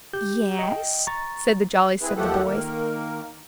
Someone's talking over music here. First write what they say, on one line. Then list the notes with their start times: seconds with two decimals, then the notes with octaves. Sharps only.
"Yes," said the jolliest of the boys.
0.13 G4 G6
0.59 D#5 G5
1.07 A#5 C#6 A6
2.02 C4 E4 G#4 B4
2.16 D#2 F3 A3 G4 A4 F#5
2.47 D#3 A#3 A#4